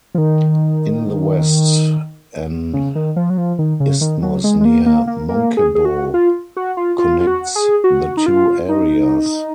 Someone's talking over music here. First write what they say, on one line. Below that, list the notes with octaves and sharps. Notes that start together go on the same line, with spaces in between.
In the west, an isthmus near Munkebo connects the two areas.
F3
D#3
C#3
D#3
F3
F#3
F3
D#3
C#3
D#3
F#3
G#3
G#3
A#3
A#3
A#3
A#3
G#4
G#4
F#4
F4
F#4
F4
F4
F4
F#4
G#4
F#4
D#4
F4
D#4